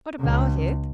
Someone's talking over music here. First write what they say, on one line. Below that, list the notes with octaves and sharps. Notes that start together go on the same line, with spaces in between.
"What about it?"
C#2 C#3